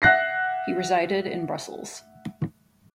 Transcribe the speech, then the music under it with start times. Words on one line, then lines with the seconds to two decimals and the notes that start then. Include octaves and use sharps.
He resided in Brussels.
0.02 E5 F#5 F#6 A#6 C7